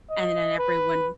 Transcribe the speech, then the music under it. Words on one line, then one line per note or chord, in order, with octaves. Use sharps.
and then everyone
D#5
B4